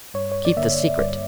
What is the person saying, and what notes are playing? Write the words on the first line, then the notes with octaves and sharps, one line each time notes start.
Keep the secret.
G2 C#5
C#5
D5
D3 A#3 E5
G2 D5